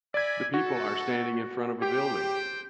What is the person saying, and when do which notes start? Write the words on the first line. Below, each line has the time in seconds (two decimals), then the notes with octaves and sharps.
The people are standing in front of a building.
0.14 D5 E5 G#5 B5 G#6
0.54 F#4 A4
1.82 G4 C5 G5